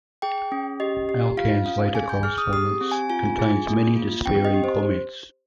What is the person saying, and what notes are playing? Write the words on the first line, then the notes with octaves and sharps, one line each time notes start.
Alkan's later correspondence contains many despairing comments.
G#4 G5
C#4
G4 D#5
G4
F4 F5
C#4 F5
G#4 G#5
G6
G#4 F6
D#6
G4 D#6
C4
G#5
F4 G#5
G#4
A#3
F4
C4 G5
D#5
G4
C5